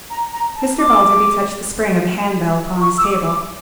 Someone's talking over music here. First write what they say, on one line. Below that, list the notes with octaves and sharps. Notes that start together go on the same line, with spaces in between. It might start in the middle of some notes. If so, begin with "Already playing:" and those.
Mr. Balderby touched the spring of a handbell upon his table.
A#5
A#5
A5
D6
C#6
E6
D6
D6